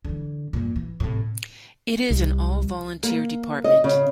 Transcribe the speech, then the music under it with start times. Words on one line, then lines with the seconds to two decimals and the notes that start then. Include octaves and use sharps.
It is an all volunteer department.
0.05 D3 E3
0.53 F#2 A#2
0.76 E3
1.00 A2 C3
2.11 C2
3.03 A#3
3.64 D#5
3.84 C#3